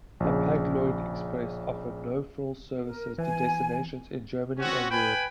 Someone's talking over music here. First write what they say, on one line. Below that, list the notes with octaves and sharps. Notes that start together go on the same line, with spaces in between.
Hapag-Lloyd Express offered no-frills services to destinations in Germany and Europe.
A#1 C#3
A#4
E3 G#5
C4 C#4 F#4
B4 G5 G#5 B5